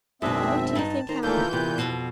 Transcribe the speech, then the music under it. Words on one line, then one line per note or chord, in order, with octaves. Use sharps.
And what do you think happened?
G#1 F#2 B2 C4 D4 G#4 E5
G2 D#4 A5
D#3 C5 A#5
D#2 A#2 E3 A3 A#3 A4 A#4 G6
E2 C3 B4
F2 B2